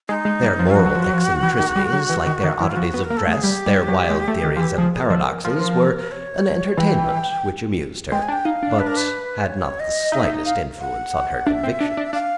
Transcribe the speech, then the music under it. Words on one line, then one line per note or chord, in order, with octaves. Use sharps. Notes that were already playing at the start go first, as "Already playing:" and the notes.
Their moral eccentricities, like their oddities of dress, their wild theories and paradoxes, were an entertainment which amused her, but had not the slightest influence on her convictions.
G#3 D#4
G#3
G3
F3
F#3 F4
F3 F#4
F#3
F3
F#3
F3
E3
D#3
G3
F#3
E3
D#3
D#3
E3 E4
F4
F3 F#4
B3
A#4
A#3
A4
A3
G#4
G3 G4
G3
F#3
G#3
A3
D#3
F3
E3
F3 G#4
G#4
A#4
F3 A4
A#4
F3 A#4
C#5
E3 G5
G#3 G5
G#5
D4
G5
D#4 F5
D4
B4
A#4
B4
C#5
D#5
D#4 E5
F5
F#5
D4 E5
C4
D4
D4
D4 F5